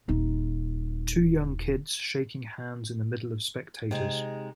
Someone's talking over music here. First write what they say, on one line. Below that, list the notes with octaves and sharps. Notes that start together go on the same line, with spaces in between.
Two young kids shaking hands in the middle of spectators.
D#1 D#4
C3 G#3 D#4